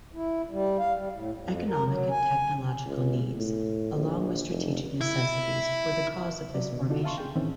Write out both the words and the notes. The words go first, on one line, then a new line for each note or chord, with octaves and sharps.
Economic and technological needs along with strategic necessities were the cause of this formation.
E4
G3
F5
G3
A2
F2
A#4
F#3
G#5
C#2
A2
A#1
F1
E4
F#3 D5
B2 D3
D4 D#4 F4 F#4 A4
E5 F5 A5 C6 C#6
G#4 G5
A2 D#3 E3 C4 C#4